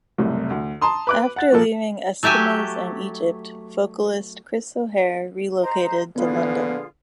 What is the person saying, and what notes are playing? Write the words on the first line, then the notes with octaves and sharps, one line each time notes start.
After leaving Eskimos and Egypt, vocalist Chris O'Hare relocated to London.
F#1 C2 A2 C3
D2
A5 A#5 C6 D#6
B4 D6 F#6
F#5 A6
A#2 F3 A#3 A4
F#3 A3 G4 E5 G#5
C5 D#5 A#5
A#1 D3 B3 F4 G#4 B4